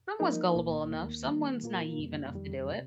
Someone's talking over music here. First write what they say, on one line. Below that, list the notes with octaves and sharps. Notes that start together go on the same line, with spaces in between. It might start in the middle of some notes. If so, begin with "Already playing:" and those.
Someone's gullible enough, someone's naive enough to do it.
F3 A#3 D#4 A#4
C2 A#2 A#3
D#2 D#3 A#3
D#3 G3 A#3
A#2 A#3 F4 A#4
F2 C3 G3 A#3
F2 D#3 G3
C3